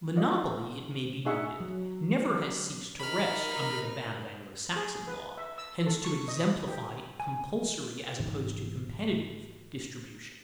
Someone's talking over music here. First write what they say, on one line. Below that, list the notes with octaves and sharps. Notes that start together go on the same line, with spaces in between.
Monopoly, it may be noted, never has ceased to rest under the ban of Anglo-Saxon law, hence to exemplify compulsory, as opposed to competitive, distribution.
E4 F4 D5 D#5
D4 D#4 G#4 E5 F#5 C#6
F#3
D#4 A#4 B5 F6
G#4
B4
E5
E6
A4
C#6
D#5
G4
G#5
G#1 G#2 D3 E3